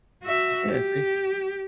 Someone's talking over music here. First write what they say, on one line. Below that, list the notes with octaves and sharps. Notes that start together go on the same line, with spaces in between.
yeah, see
F#4 E5
G4